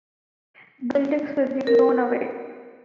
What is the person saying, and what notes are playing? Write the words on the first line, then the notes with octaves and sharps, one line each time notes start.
Buildings will be blown away.
A#4